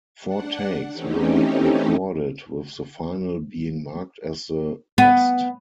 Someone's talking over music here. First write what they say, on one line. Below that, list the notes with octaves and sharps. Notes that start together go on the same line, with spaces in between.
Four takes were recorded with the final being marked as the best.
D4 F#5
E3 A3 C4 C#4 D#4 G4
B3